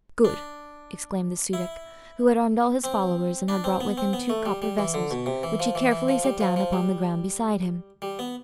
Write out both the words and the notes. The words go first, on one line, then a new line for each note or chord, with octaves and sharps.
"Good!" exclaimed the Su-dic, who had armed all his followers and had brought with him two copper vessels, which he carefully set down upon the ground beside him.
D4
E4
C4
D4
C4
B3
C4
B3
A3
G3
G3
E3
D3
B2
C3
E3
F3
E3
E3
F3
G3
F3
F3
G3
G3
B3